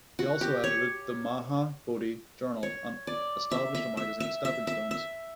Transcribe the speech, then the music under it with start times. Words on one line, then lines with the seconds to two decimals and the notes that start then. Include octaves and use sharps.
He also edited the "Maha Bodhi Journal" and established a magazine, "Stepping Stones".
0.19 F#4
0.41 G4
0.64 C#5
2.63 C#5
3.07 D5
3.51 E5
3.75 E5
3.97 E5
4.20 E5
4.45 E5
4.67 E5
4.91 E5